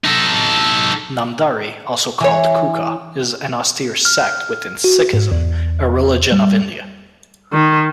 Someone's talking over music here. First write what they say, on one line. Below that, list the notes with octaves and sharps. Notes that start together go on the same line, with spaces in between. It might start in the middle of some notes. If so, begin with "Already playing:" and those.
Namdhari, also called Kuka, is an austere sect within Sikhism, a religion of India.
D#4 A4
E3 C#5
F6
F#4
G#2
E2
G3
D#3